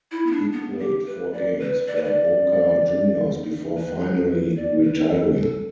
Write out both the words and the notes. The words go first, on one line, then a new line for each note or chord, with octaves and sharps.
He played four games for Boca Juniors before finally retiring.
E4
B3
D4
B3
G4
B4
D5
B4
D5
B4
D5
B4
D5
B4
A4
A4